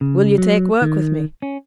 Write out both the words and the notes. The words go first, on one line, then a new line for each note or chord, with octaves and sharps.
Will you take work with me?
C#3
F#3
D#3
C#4